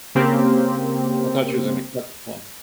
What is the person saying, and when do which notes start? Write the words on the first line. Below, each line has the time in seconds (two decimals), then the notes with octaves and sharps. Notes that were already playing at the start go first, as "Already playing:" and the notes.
I thought she was gonna cut her palm.
0.15 C#3 A#3 C4 G4